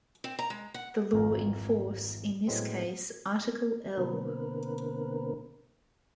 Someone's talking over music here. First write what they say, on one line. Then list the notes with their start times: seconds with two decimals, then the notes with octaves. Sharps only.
The law in force, in this case Article L.
0.24 C4
0.39 A#5
0.50 G#3
0.74 F#5
1.13 G#1 F2 E3 A#4 F5
2.47 A2 F#3 G#3 B3 C4
3.98 B2 D3 A#3 C4 A#4 B4